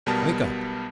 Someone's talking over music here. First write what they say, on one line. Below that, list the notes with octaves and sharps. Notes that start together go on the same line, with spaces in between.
Wake up!
B1 B2 G3 B3 A#4 A5